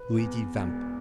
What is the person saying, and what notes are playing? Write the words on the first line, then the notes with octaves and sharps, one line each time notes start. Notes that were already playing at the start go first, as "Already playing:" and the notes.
Luigi Vampa.
Already playing: B4
E2
E1